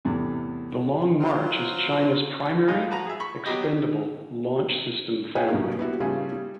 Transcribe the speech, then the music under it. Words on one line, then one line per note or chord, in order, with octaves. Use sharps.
The Long March is China's primary expendable launch system family.
E2 A2 C3
F#3 F4 C5
A#2 G3 G#3 D#4 F4
F3 F#4 B4 A#5
G#4 E5
B5 C#6
F#3 B3 G4 D#5
G#4 B4 C#5 D#5 F5 G5
C2 G2 F#3 G3 A3 A#3
B3 E4 F#4 G4
C#3 G3 A3 F4 G#4
G3